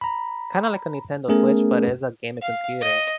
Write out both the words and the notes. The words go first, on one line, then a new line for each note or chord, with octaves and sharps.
kinda like a Nintendo Switch, but it's a gaming computer.
A#5 B5
A3 B3 C#4 G#4 A#4
F5
D#5